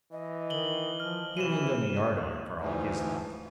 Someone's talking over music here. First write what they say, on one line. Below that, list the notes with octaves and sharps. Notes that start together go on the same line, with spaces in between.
He'll end on a yardarm for all his luck.
E3 D#5
D#3 F#7 G7
F3 F6
C3 E3 D#7 E7
D2 G#2 E3 F3